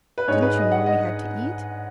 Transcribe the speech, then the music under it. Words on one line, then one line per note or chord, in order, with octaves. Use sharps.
Didn't you know we had to eat?
B4
G#2 G#3 C#5
B4
D#5
F#5
D#5